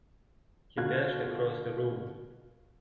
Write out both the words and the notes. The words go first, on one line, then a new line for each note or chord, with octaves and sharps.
He dashed across the room.
B2 D3 F4 F#6 G#6